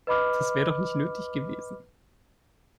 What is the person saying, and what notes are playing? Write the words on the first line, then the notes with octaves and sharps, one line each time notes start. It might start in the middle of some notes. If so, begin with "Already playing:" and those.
Das wäre doch nicht nötig gewesen.
B4 D#5 B5 D6 F6